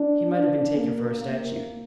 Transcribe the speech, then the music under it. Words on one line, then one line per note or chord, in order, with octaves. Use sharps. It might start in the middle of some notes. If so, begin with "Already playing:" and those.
He might have been taken for a statue.
Already playing: D4
D4
A#3
A#3